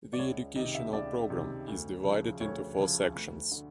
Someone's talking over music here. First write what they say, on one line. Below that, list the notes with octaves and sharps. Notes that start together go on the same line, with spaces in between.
The educational program is divided into four sections.
D5
C#2 C#5
C3 D#3 D#5
E5
C#2 D5
C3 D#3
D2
C#3 F3
D2 C#5
C#3 F3
D2
D3